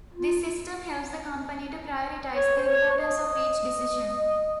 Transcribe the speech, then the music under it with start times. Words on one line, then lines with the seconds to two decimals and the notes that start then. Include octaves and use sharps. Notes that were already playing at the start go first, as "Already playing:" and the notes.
This system helps the company to prioritise the importance of each decision.
0.13 F4
2.35 C#5
2.57 C5
2.67 C#5
2.91 C#5
2.99 D#5